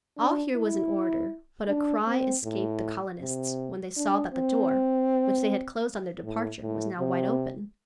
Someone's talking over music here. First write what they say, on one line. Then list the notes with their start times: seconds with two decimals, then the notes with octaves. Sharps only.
All here was in order; but a cry escaped the colonists when they saw that the door, which they had closed on their departure, was now wide open.
0.17 D4
0.56 E4
1.68 D4
2.07 C4
2.44 A2
3.20 C3
3.96 D4
4.34 C4
6.24 A2
6.62 A2
7.00 C3